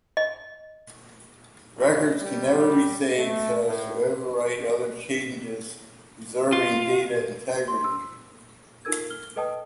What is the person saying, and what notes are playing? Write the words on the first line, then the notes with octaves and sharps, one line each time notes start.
Records can never be saved so as to overwrite other changes, preserving data integrity.
D#5
A1
G3
A3
A2
F4
C6
E6
D#4 F4 A4 A#4 E6 G#6
F6 G7
A4 B4 D#5 G5 A5 D#6